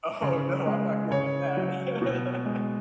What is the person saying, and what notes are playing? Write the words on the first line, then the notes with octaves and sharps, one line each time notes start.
Oh, no. I'm not getting in that.
C#3
G#3
C#3 C#5
F#3
B2
G#3